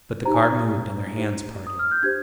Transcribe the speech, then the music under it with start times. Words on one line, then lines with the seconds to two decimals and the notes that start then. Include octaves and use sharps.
But the cart moved and their hands parted.
0.25 D#4 G4 C5 A#5
0.34 G#5
0.43 A#5
1.14 D#4 G4 C5
1.67 D#6
1.79 F6
1.91 G6
2.03 D4 G4 C5 G#6